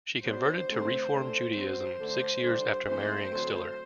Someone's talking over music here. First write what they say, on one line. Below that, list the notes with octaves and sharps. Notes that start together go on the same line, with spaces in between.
She converted to Reform Judaism six years after marrying Stiller.
F#3 B3 D4 C5
D3 A3 C4
D3 A3 C4
F#3 C4 C5
D3 A3 D4
D3 G3 D4
E3 A3 C4 C5
D3 F#3 A3 C4